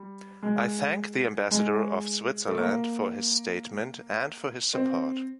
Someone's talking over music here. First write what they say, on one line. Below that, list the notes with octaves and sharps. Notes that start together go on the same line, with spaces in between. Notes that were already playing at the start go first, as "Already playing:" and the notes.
I thank the Ambassador of Switzerland for his statement and for his support.
Already playing: G3
G#3
G#3
A3
A#3
C4